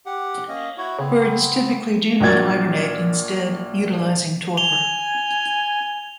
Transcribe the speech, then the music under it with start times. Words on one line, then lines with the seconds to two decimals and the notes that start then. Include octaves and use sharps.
Birds typically do not hibernate, instead utilizing torpor.
0.06 G4 F#5
0.48 A#3 C#4 D#5
0.77 E4 F#4 C#5
0.99 C#3 B3 C4
2.20 A#1 A#2 F#4 G#6 A6
4.57 G#5 F7 G7